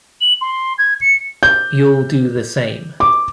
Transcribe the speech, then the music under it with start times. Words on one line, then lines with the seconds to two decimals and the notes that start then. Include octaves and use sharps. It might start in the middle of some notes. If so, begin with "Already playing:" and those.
You'll do the same.
0.21 F#7
0.41 C6
0.78 G#6
1.01 C#7
1.43 G6
3.00 D6